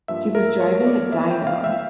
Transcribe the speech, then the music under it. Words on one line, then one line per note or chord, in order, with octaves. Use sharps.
He was driving a Dino.
G2 F3 A#3 E5
A#4
C#5
D5
F2 E3 A#3 E5
G5
F5
E5